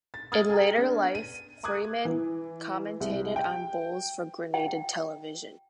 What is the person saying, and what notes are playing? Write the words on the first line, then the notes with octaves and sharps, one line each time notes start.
In later life Freeman commentated on bowls for Granada Television.
A6
D#6 F6 G#6 A6
G#4 G5 A#5
B3 D4
D#7
A#5 D6 D#6 F#6 G#6
E3
C2
G5
G5